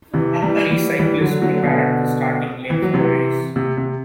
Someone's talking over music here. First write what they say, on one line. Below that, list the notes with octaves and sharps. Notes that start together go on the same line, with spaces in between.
Three cyclists prepare at the starting line for a race.
C3 E3
E3 G3
E3 G3
E3 G3
D3 F#3
D3 F#3
B2 D3
E3
F#3
C3 E3
C3
C3